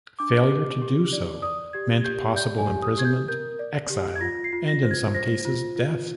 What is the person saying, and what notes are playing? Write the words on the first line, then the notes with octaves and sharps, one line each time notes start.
Failure to do so meant possible imprisonment, exile, and, in some cases, death.
D4 D6
G4
G4
D5
D5 D#6
G4 G#6
G#6
G4 G6
D5 G6
G#5
G4
D#6
G4 G#6
G6
A#4 G6
D5
G4
G#6
F4 A#6
C7
F4
A#6
C5
G#6
C5 A#6
F4
F4